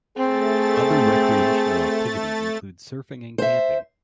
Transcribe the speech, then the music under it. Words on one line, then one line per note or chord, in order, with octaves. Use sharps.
Other recreational activities include surfing and camping.
A3 C4 G#4 A6
C5 E5